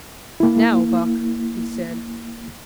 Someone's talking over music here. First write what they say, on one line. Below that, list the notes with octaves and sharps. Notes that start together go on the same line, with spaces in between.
"Now, Buck," he said.
A#3 E4